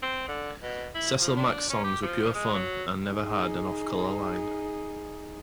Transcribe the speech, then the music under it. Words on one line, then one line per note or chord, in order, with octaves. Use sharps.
Cecil Mack's songs were pure fun and never had an off-color line.
C4
D3
B2
E4
F3
D4
C#4
G4
F3
G#3
F#3
D#4 G#4